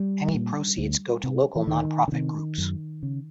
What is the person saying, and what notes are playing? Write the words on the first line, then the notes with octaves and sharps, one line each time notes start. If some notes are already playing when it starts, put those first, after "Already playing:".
Any proceeds go to local non-profit groups.
Already playing: G3
A#2
D2
C3
E3
D2 D#3
D3
C3 D#3
F#2
C#3